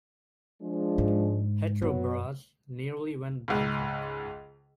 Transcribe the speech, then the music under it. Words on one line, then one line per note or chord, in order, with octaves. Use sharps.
Petrobras nearly went bankrupt.
F3 G#3 D4
G#2
F#2 F#3 B3
C#2 G#2